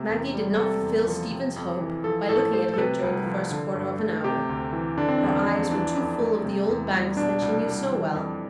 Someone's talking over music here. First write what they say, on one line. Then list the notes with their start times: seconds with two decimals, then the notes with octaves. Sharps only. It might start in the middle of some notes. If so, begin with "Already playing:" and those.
Maggie did not fulfil Stephen's hope by looking at him during the first quarter of an hour; her eyes were too full of the old banks that she knew so well.
Already playing: C3 A3
0.09 E2
0.33 G3
0.57 C3 A4
0.82 E2
1.07 F3
1.31 C3
1.56 F2
1.80 E3
2.04 F3 A4
2.29 A2 A4
2.53 A3 C5
2.74 A4
2.78 C3 B4
3.03 C2
3.26 F3
3.51 D3
3.75 G2
3.99 A3
4.24 C3 G4
4.49 D2
4.73 E3
4.98 D3 D4
5.09 C4
5.18 E2 D4
5.46 F3
5.71 E3 D4
5.95 F2
6.19 A3
6.44 C3
6.69 E2
6.93 G3
7.17 B2 D4
7.42 C2
7.66 G3
7.91 E3
8.16 F2